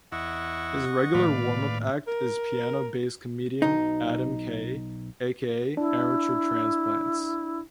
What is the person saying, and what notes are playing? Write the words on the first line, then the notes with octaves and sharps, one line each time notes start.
His regular warm-up act is piano-based comedian Adam Kay, aka Amateur Transplants.
E2 E4 D#5 F#5 C#6
A2 D#3 A#3 B4 D5 F5
A#4
B1 D#4
D4 E4